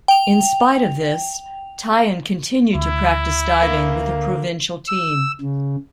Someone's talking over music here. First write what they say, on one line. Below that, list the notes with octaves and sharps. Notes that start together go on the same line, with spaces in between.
In spite of this, Tian continued to practice diving with a provincial team.
G5 F7
D2 E4
D3 A#3 E5
E6
C#3